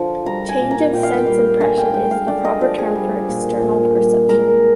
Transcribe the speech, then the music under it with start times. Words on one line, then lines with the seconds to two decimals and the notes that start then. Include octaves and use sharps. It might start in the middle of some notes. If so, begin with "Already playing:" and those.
Change of sense-impression is the proper term for external perception.
Already playing: D3 F3
0.26 G3 A#5
0.49 G#5
0.60 A#2
0.71 A#5
0.93 A#2 G5
1.03 F5
1.14 G5
1.26 G3
1.60 D3 G#5
1.78 G5
1.94 G#3 G5
2.11 F5
2.28 D3 D5
2.45 D#5
2.61 F3 D5
2.78 G#4
2.95 G3
3.29 A#2
3.62 A#2
3.96 G3
4.29 G#3 A#4